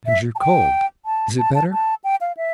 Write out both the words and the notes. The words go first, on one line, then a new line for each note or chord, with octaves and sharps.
'And your cold, is it better?'
E5
A5
G5
A5
A5
A5
A5
G5
F5
E5